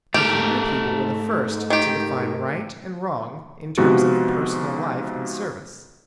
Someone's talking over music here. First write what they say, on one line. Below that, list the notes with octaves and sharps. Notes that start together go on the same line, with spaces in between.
The Hebrew people were the first to define right and wrong in terms of personal life and service.
G#2 A3 G4 A#4
D#3 G4
G#2 C3 F3 B3 F#4